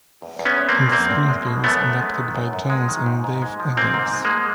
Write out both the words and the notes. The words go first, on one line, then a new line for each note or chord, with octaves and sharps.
The screenplay was adapted by Jonze and Dave Eggers.
E2
E2
B3 C#4
G#3
A#3 C4
B2
E2 A#3 C4
E2
G#3
B2
F#2 A3 B3
F#2
G#3
D#3
F#2
F#2
G#3
D#3
G#2
G#2
G#3
F3
G#2 A#3 C4
G#2
G#3
F3 G#3 A#3